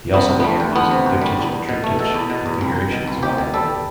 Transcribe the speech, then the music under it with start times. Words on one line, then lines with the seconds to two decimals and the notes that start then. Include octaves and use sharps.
He also began using diptych and triptych configurations while in Rome.
0.14 C3 B3
0.29 D2
0.40 B3
0.44 G3 A3
0.60 D2
0.76 D2 B3
0.91 C3
1.06 D2
1.22 G3
1.37 E2
1.52 E2
1.69 B2
1.84 A3
1.99 B2 A4
2.14 E2
2.30 B2
2.46 E2
2.61 C2
2.77 C2
2.92 B2
3.08 C2
3.23 B2 G4
3.38 B2
3.54 G3 A4